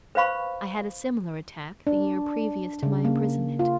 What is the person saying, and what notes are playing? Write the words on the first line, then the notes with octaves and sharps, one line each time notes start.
I had a similar attack the year previous to my imprisonment.
B4 C5 F5 B5 C#6
D4
C#3
A#3
F4